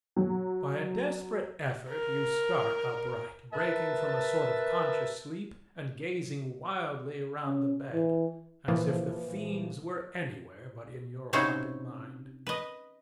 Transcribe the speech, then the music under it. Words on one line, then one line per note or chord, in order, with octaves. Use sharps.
By a desperate effort you start upright, breaking from a sort of conscious sleep and gazing wildly round the bed, as if the fiends were anywhere but in your haunted mind.
F#3
A#4
A#4 B4 E5 A5
C#4
E3
A#2 E3 F3
C3 C#4 D#4 E4 F#4 C5
B4 D#5